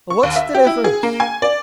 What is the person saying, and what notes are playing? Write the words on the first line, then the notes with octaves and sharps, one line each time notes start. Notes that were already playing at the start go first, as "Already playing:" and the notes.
"What's the difference?"
C#6
D#2
E5
G4
E4
G#4
A#3
G#5
D5